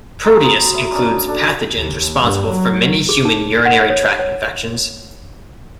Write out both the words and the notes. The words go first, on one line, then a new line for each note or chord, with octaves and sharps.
"Proteus" includes pathogens responsible for many human urinary tract infections.
D#4 F5
F#3 B3 C6 D#6
E5 B5
A#3 C#4 D4 D#5
D4 A4
D#2
G2
F#3
G#4
D#4
F#5
C#5
C#5